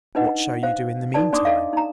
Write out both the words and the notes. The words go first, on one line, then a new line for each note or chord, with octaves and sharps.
'What shall you do in the meantime?'
D4 D#4 B4 D#5 F#5
C5 F5
D#4 A4 B4 D5 A5
D4 D5 C6 D6 D#6
A4 D5 D#5 F5
D#4 A#5